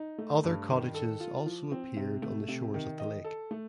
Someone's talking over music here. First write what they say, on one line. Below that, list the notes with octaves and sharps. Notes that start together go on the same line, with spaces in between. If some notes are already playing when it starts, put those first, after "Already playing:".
Other cottages also appeared on the shores of the lake.
Already playing: D#4
A3
G2
D#3
A4
F4
F3
C4
C3
A3
C3
D#3
D#5
A4
A3